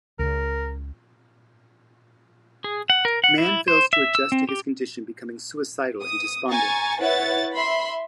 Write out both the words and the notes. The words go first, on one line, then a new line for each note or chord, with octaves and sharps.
Mann fails to adjust to his condition, becoming suicidal and despondent.
C#2 C#3 A#4
G#4
F#5
A#4
F#5
E4
C5
E5
E6
C4
G4
D#6
G#5 A#5 C#6 A6
E4 B4 C#5 F#5 A6
E5 B5 C6